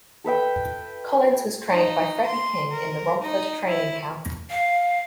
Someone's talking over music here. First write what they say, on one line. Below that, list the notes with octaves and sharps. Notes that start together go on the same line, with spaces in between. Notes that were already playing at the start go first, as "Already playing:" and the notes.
Collins was trained by Freddie King in the Romford training camp.
A4 B4 E5 G5
D#4
C6
A#4
D#4
E4
F5